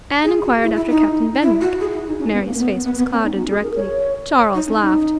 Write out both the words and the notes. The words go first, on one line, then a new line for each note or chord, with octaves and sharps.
Anne enquired after Captain Benwick, Mary's face was clouded directly. Charles laughed.
G#4
F#4
E4
E4
D#4
E4
F#4
G#4
E4
D#4
C#4
B3
A#3
B3
B3
B3
C#4
D#4
F#4
G#4
A#4
C#5
D#4
C#4
D#4